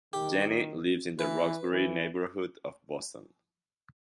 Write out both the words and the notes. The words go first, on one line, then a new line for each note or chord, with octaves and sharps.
Janey lives in the Roxbury neighborhood of Boston.
D#3 G4
E3 B4
E3